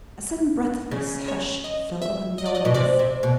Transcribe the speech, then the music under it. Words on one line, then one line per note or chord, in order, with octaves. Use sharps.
A sudden breathless hush fell upon the audience.
C#3
C#5
D#5
E5
D#5
D5
D#5
B2
C3 D5
C3
B2